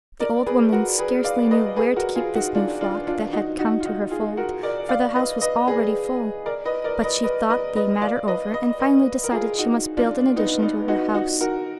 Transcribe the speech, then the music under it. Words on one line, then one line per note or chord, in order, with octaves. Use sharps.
The old woman scarcely knew where to keep this new flock that had come to her fold, for the house was already full; but she thought the matter over and finally decided she must build an addition to her house.
A#4 D5
G#4 B4
F#4 A#4
G#4 B4
D5 F5
B4 D#5
G#4 B4
F#4 A#4
F4 G#4
D#4 F#4
D4 F4
D4 F4
D4 F4
D#4 F#4
D#4 F#4
F4
D#4 F#4
F4 G#4
F#4 A#4
A#4 D5
D5 F5
B4 D#5
B4 D#5
G#4 B4
A#4 D5
B4 D#5
A#4 D5
B4 D#5
B4 D#5
B4 D#5
B4 D#5
D5 F5
B4 D#5
B4 D#5
B4 D#5
A#4
F4 G#4
D#4 F#4
D4 F4
B3 D#4
B3 D#4
D#4 F#4
D#4 F#4
F#4 A#4